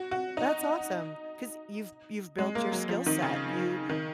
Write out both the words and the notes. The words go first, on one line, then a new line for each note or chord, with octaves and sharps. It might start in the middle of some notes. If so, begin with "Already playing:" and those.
That's awesome 'cause you've you've built your skill set. You
Already playing: F#4
F#4
D#4
G#3
A#3
F#3
F3
D#3
C#3
D#3